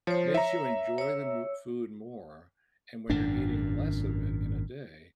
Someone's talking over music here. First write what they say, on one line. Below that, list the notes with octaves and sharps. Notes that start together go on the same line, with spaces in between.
makes you enjoy the m food more. And when you're eating less of it in a day,
F3 C5 C#5
C#5 E5 A#5
C#5 E6
G#1 F#2 A#2 D4